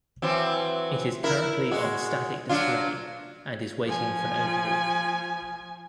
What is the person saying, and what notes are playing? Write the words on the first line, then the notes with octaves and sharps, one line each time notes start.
It is currently on static display and is waiting for an overhaul.
E3 F#3 C4
E4 A#4
G#3 F#4
F#3 D4 F4
F3 G#5